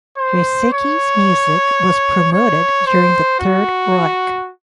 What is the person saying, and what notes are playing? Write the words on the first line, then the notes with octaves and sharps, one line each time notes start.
Draeseke's music was promoted during the Third Reich.
C5
C#5
C#5
C5
F#4